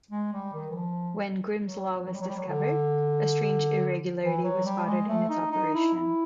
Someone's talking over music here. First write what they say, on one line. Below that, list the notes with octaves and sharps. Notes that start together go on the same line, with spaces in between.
When Grimm's law was discovered, a strange irregularity was spotted in its operation.
G#3
G3
D#3
E3
F3
F#3
F#3
G3
F#3
G3
F#3
D3
E3
F#3
G3
G#3
A3
D#4
D#4
E4
E4